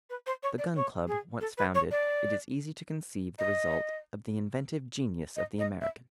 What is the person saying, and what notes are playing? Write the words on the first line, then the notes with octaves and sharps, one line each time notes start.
The Gun Club once founded, it is easy to conceive the result of the inventive genius of the Americans.
B4
C5
C#5
D5
C#5
G#4
A4
B4
C#5
D5
D#5
D#5
D#5
E5